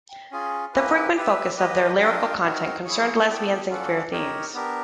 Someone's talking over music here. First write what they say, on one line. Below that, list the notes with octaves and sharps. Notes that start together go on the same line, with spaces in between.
The frequent focus of their lyrical content concerned lesbian and queer themes.
C#4 F4 G#4
A#3 C#4 E4 G4 B4
G4 B4 E5
G4 B4 D#5
D4 F4 A#4 D#5 G5
C4 D#4 F#4 A#4
E4 G#4 C#5
B3 E4 A4 D5 G5
C#4 F4 A4 D5 F#5
D#4 G4 A#4 C#5
B3 D4 G4 A#4